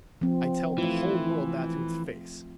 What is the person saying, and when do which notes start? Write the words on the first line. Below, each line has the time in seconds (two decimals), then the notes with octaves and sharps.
I tell the whole world that to its face!
0.21 F3 C4
0.78 E3 A3 F4